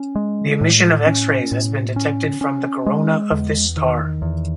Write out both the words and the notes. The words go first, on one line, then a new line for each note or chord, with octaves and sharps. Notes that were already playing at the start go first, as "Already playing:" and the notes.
The emission of X-rays has been detected from the corona of this star.
Already playing: C#4
G#3
A2
C#4
A2
C#4
C#4
G#3
E2
D#3
E2